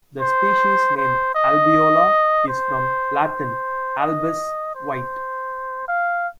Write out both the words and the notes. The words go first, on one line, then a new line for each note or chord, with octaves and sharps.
The species name "albeola" is from Latin "albus", "white".
C5
C5
D#5
C5
C5
D#5
C5
F5